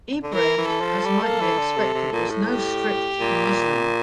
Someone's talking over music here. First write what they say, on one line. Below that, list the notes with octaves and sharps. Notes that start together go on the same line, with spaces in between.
Ibrahim, as might be expected, was no strict Muslim.
D3
E3 A#4
E3
A4
F3
G3
A#3
E3
D3
C3
C3
A#2
A2
G4
A#2